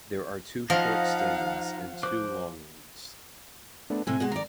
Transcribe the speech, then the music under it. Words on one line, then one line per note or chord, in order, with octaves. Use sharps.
There are two short stamens and two long ones.
F3 D#4 D#5 F5 F#5
C5 D6 F#6
A3 B3 D4
A2 C3 G#5
B2 G#3 F#4
D#3 D5 A#5